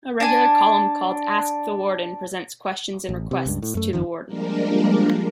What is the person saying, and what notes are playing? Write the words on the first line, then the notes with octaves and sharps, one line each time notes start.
A regular column called "Ask the Warden" presents questions and requests to the warden.
D4 G#5
A1
C3
C#2 G2
A2
F#2 A3
G1 F2 D#3 F3
F3 G3 G#3 A#3 D4 A#4